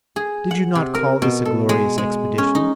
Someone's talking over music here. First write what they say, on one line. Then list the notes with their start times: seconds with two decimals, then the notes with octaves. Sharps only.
Did you not call this a glorious expedition?
0.16 G#4
0.51 F#5
0.75 C3
0.95 A#4
1.22 B2
1.45 A4
1.69 G#3
1.98 G#3
2.38 C#4
2.55 D#4